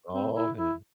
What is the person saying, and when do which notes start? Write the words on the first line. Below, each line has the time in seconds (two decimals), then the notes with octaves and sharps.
Oh, man.
0.13 C4
0.34 E4
0.57 E4